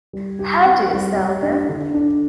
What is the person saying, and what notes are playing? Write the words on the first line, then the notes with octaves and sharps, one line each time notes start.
How do you sell them?
G3
G4
C4
G3
G4
D4
D3
D4